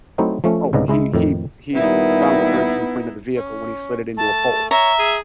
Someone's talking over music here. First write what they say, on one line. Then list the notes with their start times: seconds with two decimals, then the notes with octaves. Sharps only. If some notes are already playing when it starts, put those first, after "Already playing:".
Oh, he he he found the breaking point of the vehicle when he slid it into a pole.
0.18 F#3 A3 C4 D#4 E4
0.44 F3 A3 C#4
0.73 C2 G#2 C#3 B3 D5 D#5
0.88 C#2 G#3 E4 D#5 E5
1.14 F2 A2 D#3
1.75 D#2 A#2 G3 B3 D#4 E4 E5
3.37 C#4
4.17 A3 A5
4.71 C#5 E5 A#5
4.99 G#4